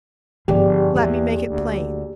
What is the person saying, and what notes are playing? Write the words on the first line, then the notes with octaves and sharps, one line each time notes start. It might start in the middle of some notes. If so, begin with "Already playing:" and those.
Let me make it plain.
G1 F3 G4 G#4 D5
E2 A#3
D2